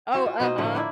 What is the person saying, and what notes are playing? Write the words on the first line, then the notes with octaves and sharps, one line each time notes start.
Oh, uh-huh.
E4 F#4 C5
F4
B2 D#4 C5 D#5
A2 D3 F3 A3
A#3 D4 E4